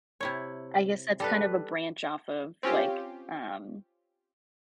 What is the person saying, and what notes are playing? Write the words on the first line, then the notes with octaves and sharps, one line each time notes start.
I guess that's kind of a branch off of, like, um,
C3 E4 C#5
G3 A4 B4
C4 C#4 F4 G4